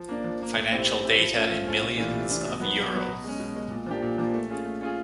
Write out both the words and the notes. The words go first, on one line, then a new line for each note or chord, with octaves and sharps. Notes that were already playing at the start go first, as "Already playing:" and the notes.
Financial data in millions of euro.
Already playing: F3
A#3 D4
F3
A#3 D4
A3
C4 E4 G4
A3
C4 E4 G4
F3
A3 C#4 F4 A4
F3
A3 C#4 F4 A4
C3
E3 A3 D4 F4
C3
E3 A3 D4 F4
B2
F#3 B3
B2
F#3 B3
B2
G#3 C#4
B2
G#3 C#4
A#2
F3 A#3 D4 G4
A#2
F3 A#3 D4 G4
A3
C#4 F4 G#4
A3
C#4 F4 G#4